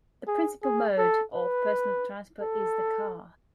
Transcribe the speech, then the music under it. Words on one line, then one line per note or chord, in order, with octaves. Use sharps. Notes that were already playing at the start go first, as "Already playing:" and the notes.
The principal mode of personal transport is the car.
G#4
G#4
A4
B4
A4